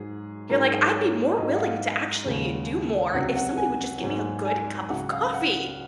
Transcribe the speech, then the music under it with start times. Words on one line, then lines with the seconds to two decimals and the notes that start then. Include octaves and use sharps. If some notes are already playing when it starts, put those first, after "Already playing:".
You're like, "I'd be more willing to actually do more if somebody would just get me a good cup of coffee."
Already playing: G#2 F#3 G#4
0.49 G#2 F#3 A#4
0.72 G#4
0.94 C#5
1.38 G#2 F#3 D#5
1.55 F#5
1.59 F5
1.81 F#5
2.26 D#2 C#3 F3 G#3
3.13 C#2 C3 F#3 F#5
3.36 F#5
3.58 G#5
4.01 G#2 F#3
4.45 G#5
4.89 C#2 C#3 F#3 F#5
5.11 F5
5.33 F#5